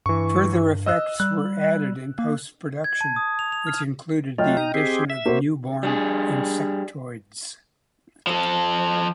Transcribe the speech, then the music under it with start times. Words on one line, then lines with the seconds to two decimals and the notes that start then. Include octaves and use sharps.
Further effects were added in post-production, which included the addition of newborn Insectoids.
0.06 G2 E3 C#6
0.86 D#5 E6 F#6
1.20 G3 F#6
2.19 A#3
2.84 G#6
3.01 A5
3.16 D#6
3.39 F7
3.52 F7
3.67 F6
4.38 F#3 A3 F4 D#5 G5 F6
4.57 D#4 A#5
4.74 C4 G4 G#4
5.10 E5
5.25 A#3 F#4 C5
5.83 G3 D4 G#4
8.27 F3 A4